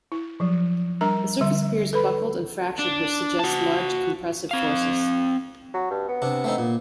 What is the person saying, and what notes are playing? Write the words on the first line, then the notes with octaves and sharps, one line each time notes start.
The surface appears buckled and fractured which suggests large compressive forces.
E4
F3 F#3
G3 D4 A#4 A#5
D3 G3 E5
A4 B4 B5
D4
F#4 A5
C4 F5
F#3
G2
B3
C3 D4
A3 C4 D#4
A#2